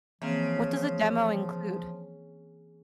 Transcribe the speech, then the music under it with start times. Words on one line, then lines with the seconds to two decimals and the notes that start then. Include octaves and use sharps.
What does a demo include?
0.22 C#3 E3 F3 A#3 C4